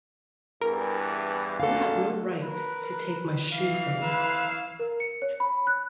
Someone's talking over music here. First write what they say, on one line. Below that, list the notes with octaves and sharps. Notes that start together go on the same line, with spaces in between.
You have no right to take my shoe from me.
E2 G2 E3 A#4
A#2 D4 F#4 A4 F5
A#4 B4
E3 F5
E3 B4 E6 G#6
A#4
C#7
C#5
B5
F#6